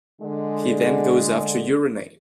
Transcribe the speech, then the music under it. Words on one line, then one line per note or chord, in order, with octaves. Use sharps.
He then goes off to urinate.
D3 G#3